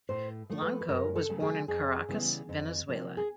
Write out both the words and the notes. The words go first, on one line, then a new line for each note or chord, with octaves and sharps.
Blanco was born in Caracas, Venezuela.
A2 C5
F3 A3
B4
B4
F#2 A#4
A4
C#3 F#3 A3
G#4
F2 G#4
C#3 E3 G3 B3
F2
C3 F3 A#3
G#4